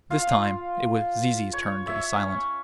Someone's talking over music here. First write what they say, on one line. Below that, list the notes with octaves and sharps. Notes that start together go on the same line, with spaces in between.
This time it was Zizi's turn to be silent.
F4 F5
C#5
C#5 E5
C#4